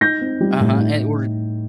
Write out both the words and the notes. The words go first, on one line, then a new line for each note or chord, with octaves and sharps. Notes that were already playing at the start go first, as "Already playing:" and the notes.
Uh-huh, and or
D#4 G6 A#6
C4
G3
A2
D#4